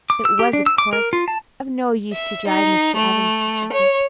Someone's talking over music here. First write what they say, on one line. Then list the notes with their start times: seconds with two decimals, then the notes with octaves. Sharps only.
It was, of course, of no use to drive Mr. Evans to Chiswick.
0.10 D6
0.25 E6
0.39 G4
0.53 D4
0.66 E6
0.78 D6
0.93 A#4
1.13 F4
1.28 A5
2.12 E5
2.47 D#4
2.95 A3
3.72 C#5